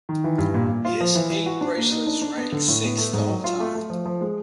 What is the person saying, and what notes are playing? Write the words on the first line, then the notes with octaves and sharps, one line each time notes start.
His eight bracelets rank sixth all-time.
D#3
E3
G2
A#2
A#2
F4
F3
E3
E3
F#4
D4
A#3
D#4
D4
D4
B3
D3
A2
B3
A3
G#2
F#3
F4
A3
A3
F3
F3
G#3